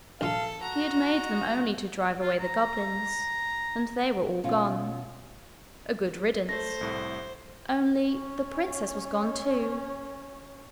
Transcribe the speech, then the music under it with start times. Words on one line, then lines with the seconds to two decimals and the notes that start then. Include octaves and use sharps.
He had made them only to drive away the goblins, and they were all gone--a good riddance--only the princess was gone too!
0.21 A#1 F4 A4 F5
0.61 F#4 A#5
2.21 F4
2.40 A#5
4.44 B2 C#4 F4
6.49 A3 C5 A#6
6.81 C2 A2
8.08 C#4 C#5